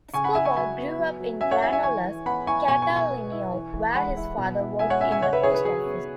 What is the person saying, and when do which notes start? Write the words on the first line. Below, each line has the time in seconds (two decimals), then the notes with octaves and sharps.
Escobar grew up in Granollers, Catalonia, where his father worked in the post office.
0.14 C#3 G#5 C#6
0.24 F#5 B5
0.35 E4 E5 G#5
0.45 G#5 C#6
0.56 F#3 E5 G#5
0.78 B3
0.98 F#3
1.20 F#3
1.41 C#4 E5 G#5
1.51 C#5 F#5
1.62 E4 E5 G#5
1.73 E5 G#5
1.83 E3 G#5 C#6
2.04 E3
2.26 B3 F#5 B5
2.46 E4 G#5 C#6
2.68 B2 G#5 C#6
2.82 G#5 C#6
2.90 B2
2.96 G#5 C#6
3.10 B3
3.32 E4
3.53 E3
3.74 E3
3.95 G#3 F#5 B5
4.17 E4
4.37 B2
4.59 E4
4.79 G#3 E5 G#5
4.90 C#5 F#5
5.01 C#4 E5 G#5
5.12 E5 G#5
5.22 C#3 C#5 F#5
5.33 B4 E5
5.43 E4 G#4 C#5
5.54 B4
5.65 F#3 G#4
5.86 B3